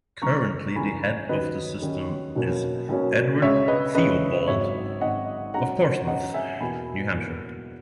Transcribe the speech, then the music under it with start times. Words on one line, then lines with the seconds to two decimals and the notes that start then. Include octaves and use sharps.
Currently, the head of the System is Edward Theobald of Portsmouth, New Hampshire.
0.22 C#2 C#3 E3 A#3 A#5 C#6
0.76 C#2 C#3 E3 A#3 G#5 B5
1.29 D#2 D#3 F#3 C#4 B4 D#5
1.82 D#2 D#3 F#3 C#4
2.35 B1 B2 F#3 A#3 C#4
2.89 B1 B2 F#3 A#3 C#4
3.42 C#2 C#3 G#3 C#4 C#5 E5
3.68 B4 D#5
3.95 C#2 C#3 G#3 C#4 B4 D#5
4.48 G#1 G#2 F#3 C#5 E5
5.01 G#1 G#2 F#3 D#5 F#5
5.54 G#2 F#3 C#4 F#5 A#5
6.07 G#2 F#3 C#4 D#5 F#5
6.34 E5 G#5
6.61 E2 B2 A#3 G#5 B5
7.14 E2 B2 A#3